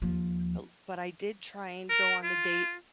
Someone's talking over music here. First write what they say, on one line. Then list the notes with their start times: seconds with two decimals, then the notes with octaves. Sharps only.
But l but I did try and go on a date,
0.02 D#2 F3
1.90 A#4
2.23 F4